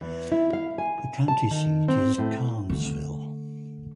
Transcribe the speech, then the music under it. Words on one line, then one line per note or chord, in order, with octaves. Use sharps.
The county seat is Carnesville.
E2
E4
F5
G#5
A5
D#3
C4
A2
D3 A3